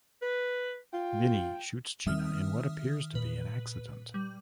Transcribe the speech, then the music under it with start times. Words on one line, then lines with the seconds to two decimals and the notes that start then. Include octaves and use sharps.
Vinnie shoots Gina in what appears to be an accident.
0.22 B4
0.93 F4 G5
2.07 D#3 G3 C4 D#4 E5 D#6 F6
3.15 A#2 B4
4.14 G3